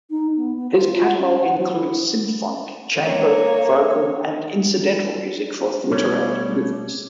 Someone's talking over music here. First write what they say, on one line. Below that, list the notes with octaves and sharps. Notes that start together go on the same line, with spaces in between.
His catalog includes symphonic, chamber, vocal and incidental music for theater and movies.
D#4
B3
B3
F4
F#5
C#4
F#5
F#3
E4
A#3 C#5
B2 G3 A3 C#5